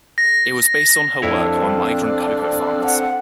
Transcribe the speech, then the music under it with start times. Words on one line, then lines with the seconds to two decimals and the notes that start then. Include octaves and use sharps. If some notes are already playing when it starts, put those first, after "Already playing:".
It was based on her work on migrant cocoa farmers.
0.18 A#6
1.22 F2 C4 D4 E4 A4 C#5 F5
2.84 F#5